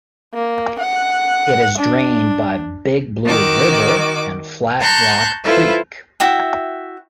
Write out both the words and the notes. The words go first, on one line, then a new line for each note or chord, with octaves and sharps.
It is drained by Big Blue River and Flat Rock Creek.
A#3
F#5
D4
D#3 F#4 D6
A5 A#5 C6 C#6 F#6 G6
E4 F4 A4 B4 C5
E4 F#4 E5 G5